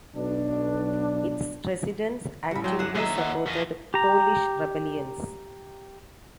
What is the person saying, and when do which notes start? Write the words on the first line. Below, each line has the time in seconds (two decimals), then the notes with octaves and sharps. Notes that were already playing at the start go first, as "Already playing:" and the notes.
Its residents actively supported Polish rebellions.
0.16 B1 B2 D4
2.51 A1 G3 F#4 B5
2.64 F#3 C5 D5 G5
2.79 G1 G#4 D5 F#5 E7
2.95 D#2 G#4 D#5 E5 A#5
3.18 F#5
3.46 F3 A#4 B6 D#7
3.94 G4 A#5